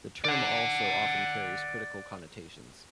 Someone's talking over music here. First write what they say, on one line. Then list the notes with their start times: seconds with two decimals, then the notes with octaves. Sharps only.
The term also often carries critical connotations.
0.24 D5 F#5